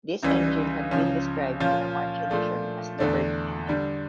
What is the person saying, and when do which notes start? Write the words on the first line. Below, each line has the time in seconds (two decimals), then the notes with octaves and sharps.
This engine had been described in the March edition as the 'Burt' engine.
0.23 C#2 C#3 E3 G3
0.91 C#2 C#3 F3 C#4
1.60 A#2 F3 C#4 F4
2.30 A#2 F3 A3 D4
2.98 E2 D3 A3 D4
3.68 D3 G3 D4